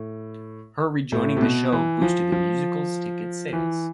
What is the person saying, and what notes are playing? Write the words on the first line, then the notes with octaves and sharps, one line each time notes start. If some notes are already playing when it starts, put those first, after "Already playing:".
Her rejoining the show boosted the musical's ticket sales.
Already playing: A2
A2
C3
B2
E3
F3
F3
E3